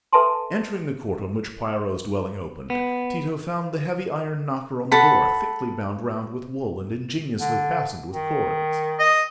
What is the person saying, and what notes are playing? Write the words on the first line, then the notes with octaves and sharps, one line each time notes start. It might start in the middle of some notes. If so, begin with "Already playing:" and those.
Entering the court on which Piero's dwelling opened, Tito found the heavy iron knocker on the door thickly bound round with wool and ingeniously fastened with cords.
A4 B4 E5 G#5 A5 C6
B3
A4 F#5 B5
D3
D#3
D#5